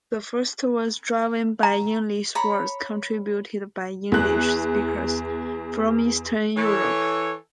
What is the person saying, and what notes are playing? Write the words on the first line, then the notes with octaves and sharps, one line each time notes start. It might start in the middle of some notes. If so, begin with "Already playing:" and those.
The first was driven by Yinglish words contributed by Yiddish speakers from Eastern Europe.
A#5
C#5 A#5 B5
E2 F#6
E3 A4 C#5